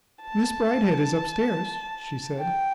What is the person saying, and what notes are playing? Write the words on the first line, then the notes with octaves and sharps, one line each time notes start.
"Miss Bridehead is up-stairs," she said.
A5
G5